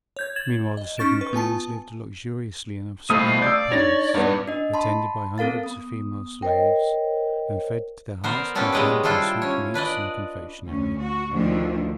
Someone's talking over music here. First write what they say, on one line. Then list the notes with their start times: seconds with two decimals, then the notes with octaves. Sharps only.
Meanwhile the seven Queens lived luxuriously in a splendid palace, attended by hundreds of female slaves, and fed to their hearts' content on sweetmeats and confectionery.
0.17 C#5 G6 G#6
0.36 G#6 A6 E7 F#7
0.77 D#5
0.97 C#4 D#4 C#6 A6 D7 E7
1.21 B4
1.33 B3 F4 G#5 A5
3.10 A3 E4 C5 D#5 F5 B5 D#6 F6
3.42 D5 E6 G6
3.72 D4 D#4 C#5 A6 A#6
4.15 G2 B3 B4 D5
4.48 D4 D#5
4.74 A5 B5 C6
5.38 C4 A4 A#4 F5 A6
5.63 B3 D#6
6.42 A#4 C5 C#5 D#5 G5
8.24 B3 A#4 C5 D5
8.55 A#3 B3 C#4 G4 A4 D5
8.72 C#3 G3 G#3 D#4 B4
9.03 G3 D4 E4 F4 A4 C5
9.42 C#4 C#5
9.74 D4 B4 D5 D#5
10.65 D2 C#4
10.99 F#4
11.31 D2 D3 D#3 F3 D4